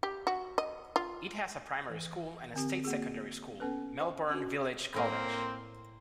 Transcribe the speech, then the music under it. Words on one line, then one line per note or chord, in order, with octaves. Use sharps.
It has a primary school and a state secondary school, Melbourn Village College.
G4
F#4
D#5
F4
E3
D3 C4 G4
A#3 F#4 G#4
B3 C#4 A4 B4
C5 D#5 F5 G5 C6 D6
C#4 F#4
A2 A#3 C4 A#4 C5 C6